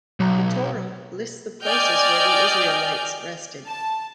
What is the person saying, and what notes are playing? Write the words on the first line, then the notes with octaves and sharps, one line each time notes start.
The Torah lists the places where the Israelites rested.
B1 F#3 A#5
D5 D#5 G5 G#5 F6 G6
A5